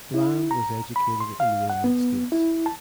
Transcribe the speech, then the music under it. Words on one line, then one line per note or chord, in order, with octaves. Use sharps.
Bland was educated in the United States.
E4
A#5
B5
C6
F5
F#5
B3
E4
A5